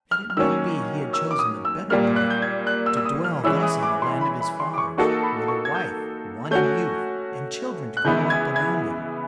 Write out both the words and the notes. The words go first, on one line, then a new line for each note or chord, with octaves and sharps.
Yet it might be he had chosen the better part, to dwell thus on the land of his fathers, with a wife won in youth, and children to grow up around him.
F6
F6
D#3 F#3 A#3 C#4 E6
E6
D6
D#6
E6
A#2 G3 A#3 F6
F#6
G6
G#6
F#6
E6
E6
D#6
F6
E3 G#3 C#4 E4 E6
D#6
D6
C6
B5
B5
C6
D6
C#6
A#3 D#4 F#4 A4 C#6
B5
C#6
G#6
G6
A3 C#4 F#4 G6
F#6
C#3 E3 G#3 B3 E4 G6
G#6
G#6